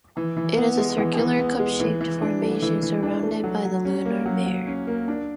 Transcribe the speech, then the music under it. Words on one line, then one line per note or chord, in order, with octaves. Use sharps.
It is a circular, cup-shaped formation surrounded by the lunar mare.
E3
E3
B3
G#3
E3
E3
B3
G#3
E3
E3
D4
A3
E3
E3
D4
A3
F#3
F#3
C#4
A#3
F#3
F#3
C#4
A#3
D4